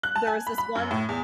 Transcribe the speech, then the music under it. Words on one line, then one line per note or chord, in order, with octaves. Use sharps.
there was this one
F#6
A5
G#5
B5
B5
F#2
A2
E2